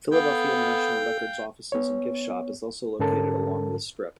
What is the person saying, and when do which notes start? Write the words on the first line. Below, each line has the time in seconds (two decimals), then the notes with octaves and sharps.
Philadelphia International Records' offices and gift shop is also located along this strip.
0.12 B3 A4 F5 G5
1.72 B3 C#5
2.99 G#2 D3 C#4 A4 A#4 A5